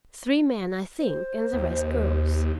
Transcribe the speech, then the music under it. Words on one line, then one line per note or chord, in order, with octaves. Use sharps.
Three men, I think, and the rest girls.
C5
D#2